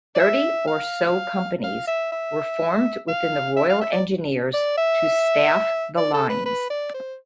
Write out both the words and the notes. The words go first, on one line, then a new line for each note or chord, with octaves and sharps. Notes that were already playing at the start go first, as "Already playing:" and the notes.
Thirty or so Companies were formed within the Royal Engineers to staff the lines.
D5
E5
F5
F5
E5
E5
F5
E5
F5
E5
D5
D5
E5
D5
A4
B4
B4
D5
C5